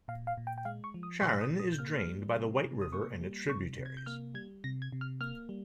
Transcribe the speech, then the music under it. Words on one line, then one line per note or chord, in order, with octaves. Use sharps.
Sharon is drained by the White River and its tributaries.
A#2 F5
F5
A#2
G5
G5
G#3 F5
C#6
F3
D#6
A#2 C#6
D#6
A#2
D#6
G6
A#3 F6
G3
C3
C3
D#6
A#3 C#6
G3
C3 C#6
C3
G#6
G6
A#3 F6
G3 G#6
C3 A#6
G#6
C3
F6
A#3 F6
G3